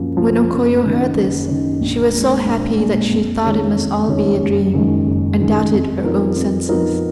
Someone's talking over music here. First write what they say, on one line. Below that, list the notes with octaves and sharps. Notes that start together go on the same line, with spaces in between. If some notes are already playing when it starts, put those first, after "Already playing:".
When O Koyo heard this, she was so happy that she thought it must all be a dream, and doubted her own senses.
Already playing: F#2 F3 A#3
F3 A#3
F#1
F#2 D#3
F#1
F#2 D#3
A#1
A#2 G#3
A#1
A#2 G#3
F2
D#3 G#3 C#4 G#4
F2
D#3 G#3 C#4 G#4
F#1
F#2 D#3 G#3
F#1
F#2 D#3 G#3
F2
F3 B3 D#4 A#4
F2
F3 B3 D#4 A#4